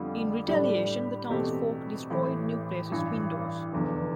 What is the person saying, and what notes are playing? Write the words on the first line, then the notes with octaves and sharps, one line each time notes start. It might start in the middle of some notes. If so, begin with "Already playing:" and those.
In retaliation, the townsfolk destroyed New Place's windows.
Already playing: F2 D3 G3 B3 F4
A2 G3 D4 G4
E2 B2 A3 C4 G4
A1 A2 E3
A1 G2 E3
F1 E2 D3